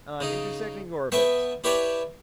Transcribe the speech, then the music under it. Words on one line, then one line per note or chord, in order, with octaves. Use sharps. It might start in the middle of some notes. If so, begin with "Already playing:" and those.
On intersecting orbit.
C#3 D#4
B3 E5 G5 A5 C#6
E4 G4 B4 C#5 D5 A5